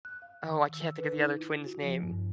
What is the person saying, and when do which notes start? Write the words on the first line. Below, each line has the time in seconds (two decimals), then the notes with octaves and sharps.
Oh, I can't think of the other twin's name-
0.05 F#6
0.22 F5
0.43 D#3
0.73 E6
0.98 B4
1.12 D#4
1.38 E4
1.65 F#4
1.83 F3
2.03 G2